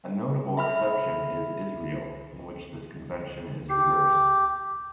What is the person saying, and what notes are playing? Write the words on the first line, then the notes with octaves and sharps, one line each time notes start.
A notable exception is Israel, in which this convention is reversed.
E5 B5 F6
G4